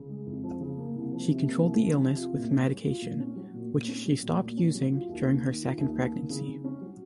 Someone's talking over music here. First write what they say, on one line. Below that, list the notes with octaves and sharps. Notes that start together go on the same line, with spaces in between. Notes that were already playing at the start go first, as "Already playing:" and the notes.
She controlled the illness with medication, which she stopped using during her second pregnancy.
Already playing: C#3
G#3
F2
F3
C#3
A#3
C2
F3
C3
A#3
C2
F3
C3
F4
A#2
C#4
F#3
F4
A#2
C#4
F#3
A#2
A#2
C#4
F#3
A#2
A#2
C#4
F#3
F4
D#2
A#3
D#3
F4
D#2
A#3
D#3
C#3
C#3
C#4
F#3